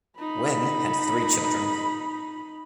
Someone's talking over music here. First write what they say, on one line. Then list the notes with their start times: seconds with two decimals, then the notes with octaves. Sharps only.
Wen had three children.
0.19 D#4 B5